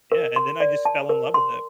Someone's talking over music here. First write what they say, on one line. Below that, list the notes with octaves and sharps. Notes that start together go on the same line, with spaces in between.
Yeah, and then I just fell in love with it.
A#4
C6
D5
A5
A#4
C6